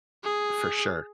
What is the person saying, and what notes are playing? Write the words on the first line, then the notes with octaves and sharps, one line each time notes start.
for sure.
G#4